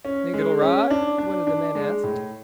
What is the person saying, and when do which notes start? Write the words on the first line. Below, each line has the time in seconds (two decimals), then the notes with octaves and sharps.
"Think it'll ride?" one of the men asked.
0.05 C#4
0.34 G#3
0.61 C#4
0.90 D4
1.18 D4
1.47 D4
1.75 G#3
2.04 A2